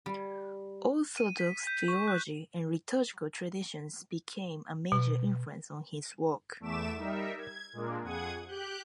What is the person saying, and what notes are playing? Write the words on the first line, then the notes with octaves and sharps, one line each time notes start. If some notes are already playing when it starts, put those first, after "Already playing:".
Orthodox theology and liturgical traditions became a major influence on his work.
G3
D#7
B6
G6
C#6
F#6
B2
E2 A3 E5 D6 E7
G3 D#4 A#4 E5
G#6
A#2 G#3 A#3 D4
F2 G#4 F#5 D#6 G#6
G4 F#6 G6